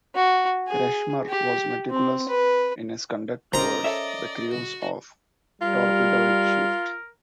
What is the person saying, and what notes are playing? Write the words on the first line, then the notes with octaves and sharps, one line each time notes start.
Kretschmer was meticulous in his conduct towards the crews of torpedoed ships.
F#4
G#4
G4
C4
B4
C#4 A#4 C5 D5 D#5 A#5
A4 C#5 E5
F#4
G3 F4 A#4